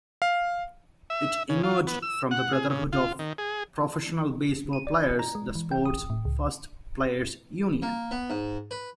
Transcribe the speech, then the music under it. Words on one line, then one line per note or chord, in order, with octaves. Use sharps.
It emerged from the Brotherhood of Professional Base-Ball Players, the sport's first players' union.
F5
E5
C#3
F4
B3
E6
F#5
G#4
C#3
F4
D#3
G#4
D#7
D5
G#6
A#5
G#3
E3
G5
D#6
A2
C#2
A#3
B3
G#2
B4